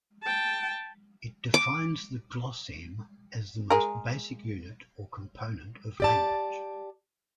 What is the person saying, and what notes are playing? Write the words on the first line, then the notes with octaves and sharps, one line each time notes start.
It defines the "glosseme" as the most basic unit or component of language.
G5 A5
D6
G#3 G#4 A#4
G4 D5 A5